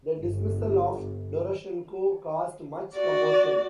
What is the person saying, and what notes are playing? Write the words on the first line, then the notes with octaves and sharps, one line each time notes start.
The dismissal of Doroshenko caused much commotion.
G1
F#4 D5